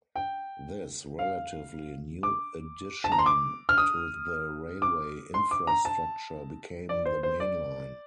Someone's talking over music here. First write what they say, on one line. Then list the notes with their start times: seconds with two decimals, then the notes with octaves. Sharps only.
This relatively new addition to the railway infrastructure became the main line.
0.16 G5
1.19 F5
2.23 D6
3.04 A5
3.12 A#5
3.18 C6
3.26 D6
3.69 F6
3.78 D#6
4.82 D6
5.34 C6
5.51 D6
5.67 A#5
5.85 A5
6.89 D5
7.05 C5
7.23 C5
7.40 D5